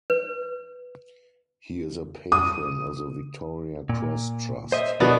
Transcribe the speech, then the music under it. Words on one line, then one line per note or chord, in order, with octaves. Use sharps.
He is a patron of the Victoria Cross Trust.
B4
D#6
A#2
C5 D#5 E5
B2 B3 D4 A#4 D5